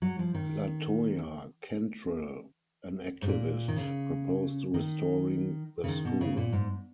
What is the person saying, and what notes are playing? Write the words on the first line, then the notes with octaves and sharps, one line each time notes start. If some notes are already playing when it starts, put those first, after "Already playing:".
LaToya Cantrell, an activist, proposed restoring the school.
F#3
F3
D#3
G#2
A#2
D#3
C#3
D#3
C#3
D#3
B2
C#3
A#2
G#2